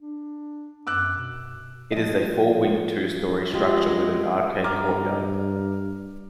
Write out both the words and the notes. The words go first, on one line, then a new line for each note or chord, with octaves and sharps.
It is a four-winged two-story structure with an arcade courtyard.
D4
F#2 D6 E6 F#6
B2
F3 D#5
G#3 F4 G4
G2 A#5 D6 F6